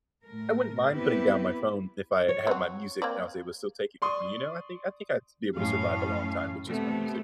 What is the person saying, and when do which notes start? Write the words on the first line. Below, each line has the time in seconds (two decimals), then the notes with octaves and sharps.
I wouldn't mind putting down my phone if I had my music and I was able to still take it with me, you know? I think I think I'd be able to survive a long time with just my music.
0.25 A2 A3 A#4
0.90 B3 C4 E4 G4 B4
2.29 C#5
2.47 C4 F#4
3.02 A#3 C4 D5
4.02 D5 C6 C#6 D#6
5.57 F#2 A2 C#4 F5
6.66 C3 A3 B3